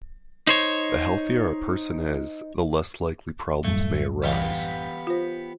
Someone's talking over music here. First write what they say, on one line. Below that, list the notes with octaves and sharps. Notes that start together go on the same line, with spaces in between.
The healthier a person is, the less likely problems may arise.
D#4 C5 C#5
A1 F#2 G3 A3
E3 B3 G4 F5
F4 C5